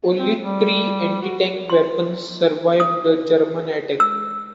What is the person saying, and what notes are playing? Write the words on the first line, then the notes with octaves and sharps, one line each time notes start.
Only three antitank weapons survived the German attack.
C4
G3
F#4
C6
D#6
E6